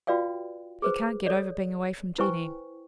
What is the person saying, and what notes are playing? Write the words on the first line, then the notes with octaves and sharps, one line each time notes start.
He can't get over being away from Jeanie.
F4 F#4 B4 D5 F5 G5
G#4 B4 C5
A4 C#5 D5
E4 B4 C5 G5 G#5 C#6